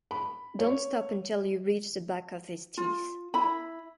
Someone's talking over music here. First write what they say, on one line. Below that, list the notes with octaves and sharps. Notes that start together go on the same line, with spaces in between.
Don't stop until you reach the back of his teeth.
B5
C#5
F4
E4 B5